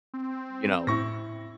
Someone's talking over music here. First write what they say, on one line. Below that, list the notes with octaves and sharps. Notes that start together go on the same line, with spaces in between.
you know,
C4
A2 E4 C#6 A#6